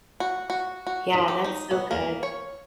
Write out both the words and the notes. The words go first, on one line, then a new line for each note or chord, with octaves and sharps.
Yeah, that's so good.
F#4
F#4
F#4
G4
D#4
B3
A#3
C#5